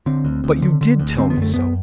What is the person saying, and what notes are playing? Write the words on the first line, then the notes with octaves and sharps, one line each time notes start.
"But you did tell me so."
D3 C4
D2
D2
D3
D3
D2
D3 C4
B3
F#2 A3
F#2 B3